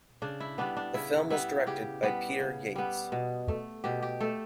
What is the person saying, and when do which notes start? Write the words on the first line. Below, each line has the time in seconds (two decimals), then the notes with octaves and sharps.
The film was directed by Peter Yates.
0.22 C#3 D4
0.40 E4
0.58 G3 B3 D4
0.77 D4
0.94 C#3 E4
1.30 G3 B3 E4
1.67 C#3 G4
2.03 G3 B3
2.40 C#3
2.75 G3 B3
3.12 B2
3.48 A3
3.84 B2 G4
4.02 G4
4.20 A3 A4